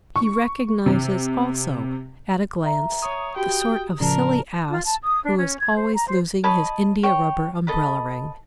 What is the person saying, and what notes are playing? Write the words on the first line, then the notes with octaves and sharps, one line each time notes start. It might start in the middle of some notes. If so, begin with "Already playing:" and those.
He recognizes also at a glance the sort of silly ass who is always losing his indiarubber umbrella ring.
C#6
C3
E5 A#5
C#5 D#6
F#4 G4 G5
A2 C#3 F3 A#4 D5 A5
F4
A5
D#6
D4
C#4
G#6
C5
A#5
C5
C#5 D#5 A5 B5
C#5 G5
A4 D#5 B5